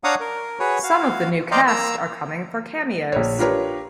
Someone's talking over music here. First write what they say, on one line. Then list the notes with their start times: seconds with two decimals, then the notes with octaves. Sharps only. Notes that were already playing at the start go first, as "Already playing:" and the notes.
Some of the new cast are coming for cameos.
0.04 D4 C#5 F5 F#5 A#5 D#6
0.20 A#4
0.59 F#4 G#4 B4 C#5
0.83 F#4 F5
1.51 C5 D5 D#5 F5 G5 A#5
1.67 A#3 A#5 E6
3.12 A#1 C#5
3.39 D4 F4 G4 A#4 B4 C#5